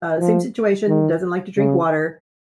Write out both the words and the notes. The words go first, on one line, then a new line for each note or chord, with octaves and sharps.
uh, same situation, doesn't like to drink water.
F3
D#3
C#3